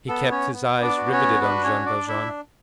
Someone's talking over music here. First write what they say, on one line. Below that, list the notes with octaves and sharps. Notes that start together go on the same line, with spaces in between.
He kept his eyes riveted on Jean Valjean.
B3 A4
C#4 C#5
B3
D4 D5
F#4
C#4 C#5
D4 B4
C#4 C#5
D4 D5
E4 E5